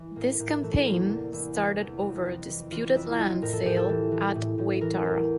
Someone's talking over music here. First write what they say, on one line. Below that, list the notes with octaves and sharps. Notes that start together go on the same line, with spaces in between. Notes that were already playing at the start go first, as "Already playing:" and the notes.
This campaign started over a disputed land sale at Waitara.
Already playing: E3
A2 A#3
A2 A#3
E3 A3
E2 A#3
C3 D4
E2 E4
E3
E2
F2
F2
E3
E3 F4
F2 E4
F2 F4
A2 A#4
A4
A2 G4
A4
E3
E3
A2
A2
E3 A#4
E2